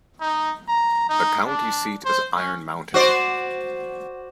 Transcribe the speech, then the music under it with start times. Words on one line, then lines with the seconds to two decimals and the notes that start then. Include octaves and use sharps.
The county seat is Iron Mountain.
0.21 D#4
0.68 A#5
1.09 D#4
1.46 D4
2.05 C5
2.36 C#4
2.94 F#4 C5 D5